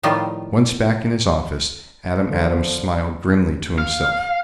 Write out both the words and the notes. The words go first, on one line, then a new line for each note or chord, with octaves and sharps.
Once back in his office Adam Adams smiled grimly to himself.
A2 D#3 F3 G3 A3 F4
D3 F3
F5